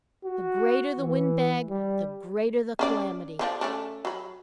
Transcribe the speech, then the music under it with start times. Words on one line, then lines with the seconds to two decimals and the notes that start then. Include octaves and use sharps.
The greater the wind-bag the greater the calamity.
0.25 F#4
0.98 E3
1.69 G3
2.79 C#4 D4 D5
3.39 D3 F3 D4
3.61 A3 C#4 D4
4.05 F#3 B5